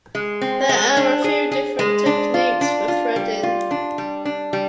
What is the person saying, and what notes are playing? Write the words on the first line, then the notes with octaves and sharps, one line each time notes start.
There are a few different techniques for threading.
G#3
C4
G#3
D4
G#4
G#4
G#3
D4
F4
D4
F4
G3
F4
D4
G3
D4
G3